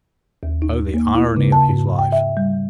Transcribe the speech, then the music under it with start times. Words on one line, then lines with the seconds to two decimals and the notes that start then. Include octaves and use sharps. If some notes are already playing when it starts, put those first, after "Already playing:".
Oh, the irony of his life!
0.43 D#2
0.62 D#4
0.94 A#3
1.15 E4
1.36 C#3
1.52 A5
1.70 G#2
1.99 G5
2.12 E5
2.37 G3